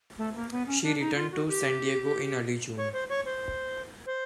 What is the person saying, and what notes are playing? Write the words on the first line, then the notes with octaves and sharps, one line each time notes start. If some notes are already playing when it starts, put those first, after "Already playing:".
She returned to San Diego in early June.
A3
A#3
B3
C#4
D4
D#4
F4
F#4
G4
C#5
C5
C#5
C5
C5